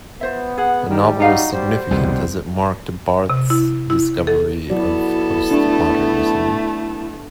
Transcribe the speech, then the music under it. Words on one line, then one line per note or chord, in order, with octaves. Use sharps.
The novel is significant as it marked Barth's discovery of postmodernism.
B3 F4 C5 E5
G#4 F#5
D#3 G3
D#4 F#4 F5 F#5
G3 C5
C2 F2 B2 G3
C3
E4
E4
A4
F#3 B3 E4 F#4 A4 D5
A3 D4